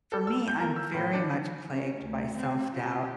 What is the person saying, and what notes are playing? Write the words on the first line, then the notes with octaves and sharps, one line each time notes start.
for me, I'm very much plagued by self-doubt
A4
E6
G6
A#4
E6
A2
D4
C#4
D2
C4
F4 G4